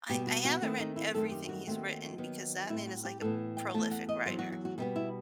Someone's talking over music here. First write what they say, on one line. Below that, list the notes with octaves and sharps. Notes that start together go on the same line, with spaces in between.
I I haven't read everything he's written because that man is like a prolific writer,
B2 G3 B3 G4
F#4
F#4
D#2 D#3 A3 C4 E4
D#4
E4
F#2 D#3 A3 C4 A4
G4
F#4
D#2 D#3 A3 C4
D#2 D#3 F#3 B3
A2 G3 C4 E4
F#4
G4
A2 E3 B3 A4
G5
E2 B2 A3 A5
F#5
D#5
E2 B2 F#3 C5
F#4
F#4
F#4
B2 G3 B3 D#4
E4